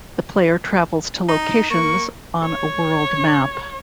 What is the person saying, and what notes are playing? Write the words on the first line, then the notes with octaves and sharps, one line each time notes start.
The player travels to locations on a world map.
D#4
A#3 C#6
C#5